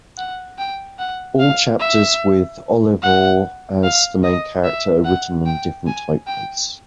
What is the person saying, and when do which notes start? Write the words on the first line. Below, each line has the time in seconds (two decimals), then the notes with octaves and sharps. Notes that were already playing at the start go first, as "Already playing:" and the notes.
All chapters with Olivaw as the main character are written in a different typeface.
0.18 F#5
0.58 G5
0.99 F#5
1.40 F5
1.80 E5
3.02 F#5
3.83 F5
4.24 D#5
4.64 E5
5.05 F#5
5.46 G5
5.87 G#5
6.27 G5